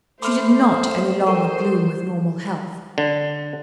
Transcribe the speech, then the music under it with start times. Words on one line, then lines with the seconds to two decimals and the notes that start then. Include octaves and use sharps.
She did not any longer bloom with normal health.
0.22 A3 C5 B5 C6 D6 F6
1.26 A4 A#4 C5 F#5 G5 C#6
2.98 D3